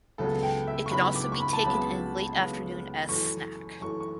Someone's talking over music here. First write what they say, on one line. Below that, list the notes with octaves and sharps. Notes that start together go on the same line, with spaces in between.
It can also be taken in late afternoon as snack.
C#2 C#3 F#3 B3 A4
G5
E5
C#6
C#2 C#3 F#3 B3 B5
D6
C#6
B5
A5
C#2 C#3 F#3 B3 B5
C#2 C#3 F#3 B3
F#2 E3 A3 C#6
F#2 E3 A3 C#6
C#6